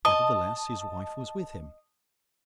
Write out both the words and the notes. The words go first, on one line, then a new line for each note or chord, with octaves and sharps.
Nevertheless, his wife was with him.
D#5 A5 D#6